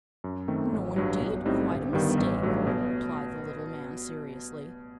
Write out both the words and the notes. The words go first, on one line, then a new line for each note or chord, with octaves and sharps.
"No, indeed; quite a mistake," replied the little man, seriously.
F#2
D#3 A3 C4
A1
G2 F#3
B1
A2 G3 C4 D#4
G1
G2 D#3 G3 B3
A1
G2 F#3 A3
B2